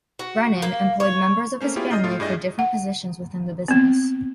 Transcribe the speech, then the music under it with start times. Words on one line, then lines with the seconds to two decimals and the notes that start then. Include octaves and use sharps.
Brennan employed members of his family for different positions within the business.
0.19 F#4
0.62 A#3
1.00 C#5
1.61 A3 A#3 C#4 C5
1.76 B3 C#4 E4 F4 G4 G#4
1.91 D#5 D#6 F6 G6 A6 C7
2.04 A2 A3 F4
2.20 G2 E4 G#4 D5 D#5 A#6
2.59 F#5
3.68 B3 C4